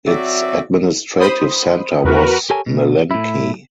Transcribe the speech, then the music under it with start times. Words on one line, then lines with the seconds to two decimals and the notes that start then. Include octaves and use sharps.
Its administrative centre was Melenki.
0.06 F#3 C4 F#4 D5 E5
1.20 C5 B5 D#6
2.05 E2 F#4 A#4 B4
2.50 G4 A4 A#4 C#5 G#5
2.66 B2
3.11 A2 E4